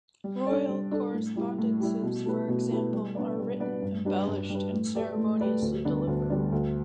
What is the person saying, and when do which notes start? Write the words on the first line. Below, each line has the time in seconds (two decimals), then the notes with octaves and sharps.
Royal correspondences for example are written, embellished and ceremoniously delivered.
0.24 G3
0.47 D4 A4 D5
0.69 G3
0.92 D4 A4 D5
1.14 A2
1.36 G3 E4 G4
1.58 A2
1.80 G3 E4 G4
2.03 B2
2.25 A3 E4 G4 B4
2.48 B2
2.71 A3 E4 G4 B4
2.93 G3
3.15 B3 D4 B4 D5
3.38 G3
3.60 B3 D4 B4 D5
3.83 G2
4.05 G3 D4 G4 B4
4.28 G2
4.50 G3 D4 G4 B4
4.73 A2
4.95 A3 G4 B4 D5
5.18 A2
5.40 A3 G4 B4 D5
5.62 D2
5.85 D3 G3 B3 D4
6.07 D2
6.30 D3 G3 B3 D4
6.52 D2